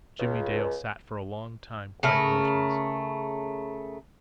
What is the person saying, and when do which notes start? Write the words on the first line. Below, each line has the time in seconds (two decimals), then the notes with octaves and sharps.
Jimmie Dale sat for a long time quite motionless.
0.19 C#2
2.03 C#3 A3 A#4